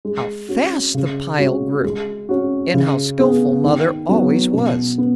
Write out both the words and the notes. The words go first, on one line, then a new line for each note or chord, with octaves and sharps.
How fast the pile grew! and how skilful mother always was.
G#3
C#4 F#4
C#3
G#3 C#4 F#4
G#3
C#4 F#4
C#3
B3 G#4
D#3
F#3 B3
B2
B3